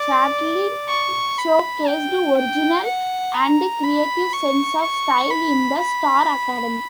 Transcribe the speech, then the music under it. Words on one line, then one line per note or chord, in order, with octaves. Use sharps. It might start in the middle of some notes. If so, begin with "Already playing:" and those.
Chatelain showcased original and creative sense of style in the Star Academy.
Already playing: D5
C#6
B5
G5
G5
F#5
A#5
B5
C#6
C#6
B5
B5